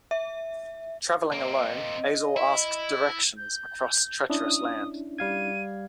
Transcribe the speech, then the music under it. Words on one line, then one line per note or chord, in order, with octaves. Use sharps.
Travelling alone, Azel asks directions across treacherous land.
E5
A#3 C4 D#5
E4
G6
C#4 D4 E4 D#6
G3 F5 G#6 D#7